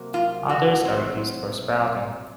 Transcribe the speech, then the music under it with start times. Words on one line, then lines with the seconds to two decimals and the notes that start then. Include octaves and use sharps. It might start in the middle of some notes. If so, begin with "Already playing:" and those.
Others are used for sprouting.
Already playing: C3 F#3 A#3
0.14 F4
0.49 F#4
0.85 C3 F#3 C4